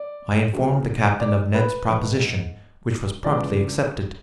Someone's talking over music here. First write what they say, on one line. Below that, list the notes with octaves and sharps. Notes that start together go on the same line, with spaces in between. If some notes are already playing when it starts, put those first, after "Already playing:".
I informed the captain of Ned's proposition, which was promptly accepted.
Already playing: D5
D2 C#3 E3
D5
B4
G#2 E3
C#2 C#3 E3 D5